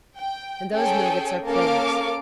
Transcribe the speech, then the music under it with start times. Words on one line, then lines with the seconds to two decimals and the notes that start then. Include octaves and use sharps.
And those nuggets are plays.
0.20 G5
0.73 C#4 G#4 A4 G5 G#5
1.48 A#3 C#4 A4 A#4 F5 D6